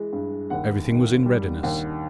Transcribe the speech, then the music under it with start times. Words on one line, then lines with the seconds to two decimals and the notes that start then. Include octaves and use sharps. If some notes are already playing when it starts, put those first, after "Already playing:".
Everything was in readiness.
Already playing: E3 G#3
0.13 G2
0.50 D#2 F#5
0.88 D#3
1.25 G3
1.63 D#2